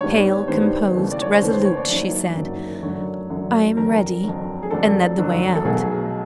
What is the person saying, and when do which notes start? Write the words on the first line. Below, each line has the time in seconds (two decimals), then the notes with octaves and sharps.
Pale, composed, resolute, she said, "I am ready," and led the way out.
0.01 G2 D#3 G3 B3 C#5
0.48 G2 D#3 G3 B3 C5
0.95 D#2 C#3 E3 A3
1.12 D5
1.22 C#5
1.32 C5
1.42 D#2 C#3 E3 A3 B4
1.53 C5
1.65 C#5
1.77 D5
1.89 F#1 F#2 D#3 F#3
2.36 F#1 F#2 D#3 F#3
2.83 F#2 D3 F#3 A3 D4 C#5
3.30 F#2 D3 F#3 A3 D4
3.76 F2 D3 F#3 A#4
4.23 F2 D3 F#3
4.63 G#4
4.71 F2 D3 F#3 A3 D4 A4
5.17 F2 D3 F#3 A3 D4
5.55 A4
5.64 B1 B2 F#3 A3 G#4